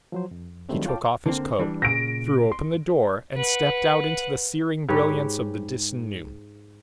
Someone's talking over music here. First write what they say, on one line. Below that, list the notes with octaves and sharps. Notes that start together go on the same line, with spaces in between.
He took off his coat, threw open the door and stepped out into the searing brilliance of the Disan noon.
F3 F#3 C5
F2
D#3 F#3 G3 A3 C4 D4
F4 C#5 F5 G5 A5 D6
D3 A#3 C4
E3 G3 D4
A#2 C#3 A#6 D7
C6
B4 F#5
G#2 G4 B4 C#5